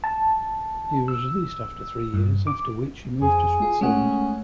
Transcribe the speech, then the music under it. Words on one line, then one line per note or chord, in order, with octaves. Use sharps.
He was released after three years after which he moved to Switzerland.
A5
E6
G2
D6
F2 G#4
F4
G#3 A3 C#4 F#5